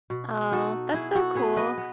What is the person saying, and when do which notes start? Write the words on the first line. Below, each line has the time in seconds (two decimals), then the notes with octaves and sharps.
Oh, that's so cool.
0.10 B2
0.52 D#4 F#4 A4
0.94 B2 E4 G#4
1.15 F#4 A4
1.35 B3 G#4 B4
1.57 B4 D#5
1.78 B3